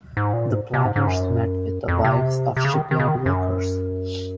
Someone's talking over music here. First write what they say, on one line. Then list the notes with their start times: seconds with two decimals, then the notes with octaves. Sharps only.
The planners met with the wives of shipyard workers.
0.17 G#2
0.33 A#2
0.50 G#2
0.74 C3
0.85 G#2
0.96 G#2
1.07 F#2
1.88 F2
2.05 C3
2.57 C3
2.65 C#3
2.74 D#3
2.91 D#3
3.00 C#3
3.08 D#3
3.26 F#2